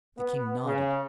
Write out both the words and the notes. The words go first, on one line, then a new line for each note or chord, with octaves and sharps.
The king nodded.
B3
C#3